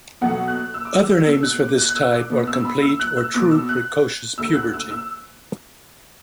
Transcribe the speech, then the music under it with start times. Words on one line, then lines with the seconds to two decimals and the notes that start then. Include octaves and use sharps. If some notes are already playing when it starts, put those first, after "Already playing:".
Other names for this type are "complete" or "true precocious" puberty.
0.21 B2 F#3 A3 F#5
0.48 F#6
0.74 E6
0.85 D6
0.96 E6
1.26 B2 A3 E6
1.43 F#6
1.61 D6
1.78 F#6
1.89 F#6
1.95 E6
2.13 D6
2.30 B2 B3
2.47 E6
2.65 B5
2.82 E6
3.00 F#6
3.17 E6
3.34 B2 B3 D6
3.51 E6
3.69 F#6
4.38 D2 D3 A3 E6
4.55 F#6
4.73 E6
4.91 E6